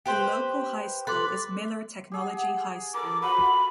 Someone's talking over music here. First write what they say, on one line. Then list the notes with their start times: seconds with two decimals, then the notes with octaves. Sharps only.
The local high school is Miller Technology High School.
0.06 G4 B4 C5
1.07 A4 B4 C6 D6
2.12 G4 G#4 F#5
2.94 A4 A#4 D6
3.22 F4 F#4 C5 B5